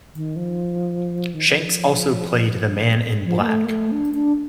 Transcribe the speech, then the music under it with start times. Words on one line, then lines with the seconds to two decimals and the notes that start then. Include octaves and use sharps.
Shanks also played the Man in Black.
0.14 D#3
0.36 F3
1.34 D#3
1.48 F3
3.25 F3
3.39 A#3
3.47 A3
3.64 A#3
3.69 A3
3.92 D4
4.14 D4